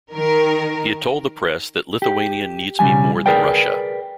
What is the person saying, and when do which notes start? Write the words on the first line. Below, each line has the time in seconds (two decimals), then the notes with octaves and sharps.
He had told the press that, Lithuania needs me more than Russia.
0.13 D#3 A#4
2.02 G4
2.79 B1 C#3 E3 G3 G#5
3.26 G#4 A#4 B4 D5 G5